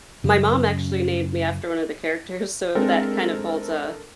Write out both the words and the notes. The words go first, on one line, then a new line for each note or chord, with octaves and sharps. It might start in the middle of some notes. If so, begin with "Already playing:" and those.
My mom actually named me after one of the characters, so that kind of holds a
F#2 C#3
G#3 C4 D4 A4 A#4